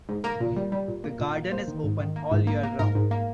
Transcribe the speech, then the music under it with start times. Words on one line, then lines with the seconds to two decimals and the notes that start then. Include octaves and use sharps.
The garden is open all year round.
0.09 G#2
0.24 A#3 A#4
0.41 A#2
0.57 G3
0.72 G3
0.88 A#2
1.04 A#3
1.20 A#2
1.36 A#3
1.52 A#3 C5
1.68 D#3
1.84 G#2
2.00 D#3
2.16 A#3
2.32 G#2
2.47 A#3
2.63 A#3
2.79 G#2 A#4
2.95 G#2
3.11 A#3